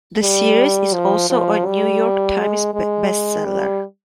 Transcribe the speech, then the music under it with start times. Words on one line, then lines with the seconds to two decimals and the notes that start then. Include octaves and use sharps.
The series is also a "New York Times" bestseller.
0.22 G3
0.94 F3
1.30 F3
1.66 G3
2.38 G#3
2.74 G#3
3.45 G3